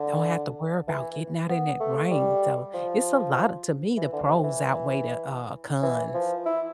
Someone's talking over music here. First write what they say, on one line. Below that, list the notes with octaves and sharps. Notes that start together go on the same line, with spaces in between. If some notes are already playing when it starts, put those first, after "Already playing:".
Don't have to worry 'bout getting out in that rain, so, it's a lotta to me, the pros outweigh the, uh, cons.
Already playing: D3
E3
B3
A3
G3
F3
E3
D3
D3
C3
E3
E3
F3
E4